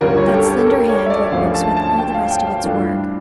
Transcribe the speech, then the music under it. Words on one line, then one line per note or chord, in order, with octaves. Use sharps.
That slender hand wrote books with all the rest of its work.
D2 D3 G3 C#4 F4 A#4
C#5
G4
A4
A4
A#4
C#5
E5
D5
D2 D3 F3 A3 C#4 F5
A5
A5
G5
F5
G5
F5
G2 E3 A3 D4 F4